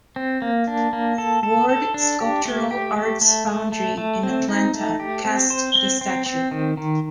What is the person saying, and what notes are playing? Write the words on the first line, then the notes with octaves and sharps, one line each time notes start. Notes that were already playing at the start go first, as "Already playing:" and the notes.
Ward Sculptural Arts Foundry in Atlanta cast the statue.
C4
A#3
D4
A#3
A4
A4
A4
D4
G4
A3
G4
A3
A3
A3
A3
A3
C4
D#4
A3
G4
C4
C5
C4
C4
C4
D#3
D#3